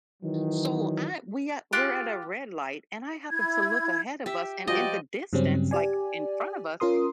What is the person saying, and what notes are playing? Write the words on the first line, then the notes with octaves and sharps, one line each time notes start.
So I we are we're at a red light and I happened to look ahead of us, and in the distance, like, in front of us,
D#3 E3 F#3
F4 G4 G#4 F#6
E4 G#6
G4 E5
F3 G3 F#4 D5 D#5 G5
G2 C#3 F#3 G3 C4 C#4
G4 D5 G#5
C#4 F4 A#4 C6 D#6